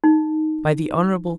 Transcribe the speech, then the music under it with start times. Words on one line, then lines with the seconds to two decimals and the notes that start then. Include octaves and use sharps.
By the Hon.
0.04 D#4